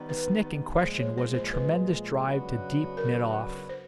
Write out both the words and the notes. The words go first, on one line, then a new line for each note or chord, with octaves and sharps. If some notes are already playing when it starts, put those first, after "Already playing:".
The "snick" in question was a tremendous drive to deep mid-off.
Already playing: D#3 G3 B3
B4
A#2 F3 G#3 C5
C#5
C5
C5
B4
C#3 F#3 B3 D4 F#4
A#4
C5